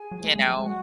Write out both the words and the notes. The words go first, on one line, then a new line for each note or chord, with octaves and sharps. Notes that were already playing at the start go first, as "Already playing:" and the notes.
you know,
Already playing: G#4 G#5
F#3
A3
G#3
F#3
G#3 F#4 F#5